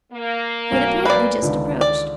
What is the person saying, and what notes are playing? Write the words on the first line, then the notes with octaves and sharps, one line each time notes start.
He had apparently just approached.
A#3
B1 F#3 A3
B4 D5
C#2 D3 D#3
D5